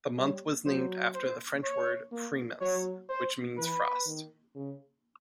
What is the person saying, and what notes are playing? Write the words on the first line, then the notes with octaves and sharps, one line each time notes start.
The month was named after the French word "frimas", which means "frost".
G3 C#5
F#3 C5
C5
C#5
A#3
F#3 C#5
C5
E3 B4
D#3
C#3